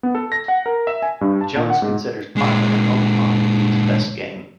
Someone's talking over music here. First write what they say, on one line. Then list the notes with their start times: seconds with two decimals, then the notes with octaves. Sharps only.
Jones considers pot limit Omaha to be his best game.
0.03 B3
0.15 A4
0.32 A#6
0.48 F#5
0.66 A#4
0.87 E5
1.02 G#5
1.21 G2
1.41 A5
1.57 A#2
1.70 F#5
1.82 G#2
2.37 A#2 G#3